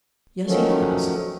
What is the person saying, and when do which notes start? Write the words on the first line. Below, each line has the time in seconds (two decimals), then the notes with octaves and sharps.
"Yes, he has."
0.46 D#3 F3 F#3 A3 C#4